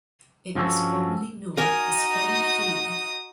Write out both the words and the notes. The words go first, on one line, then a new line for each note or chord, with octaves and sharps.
It was formerly known as Fanning Field.
G2 F3 C#4 F#4 A4
D#4 F#4 A#4 G#5 D#6